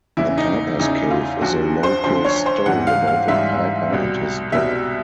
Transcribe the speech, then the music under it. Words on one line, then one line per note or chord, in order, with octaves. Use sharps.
"The Piper's Cave" is a local story about a piper and his dog.
E2 C#3 E3 E4
D#4
E2 C#3 E3 D#4
F4
D2 D3 F3 F#4
C5
D2 D3 F3 C5
C#5
C5
G#2 E3 G3 F#5
F5
F5
G#2 E3 G3 E5
C2 B2 G3
C2 B2 G3 E5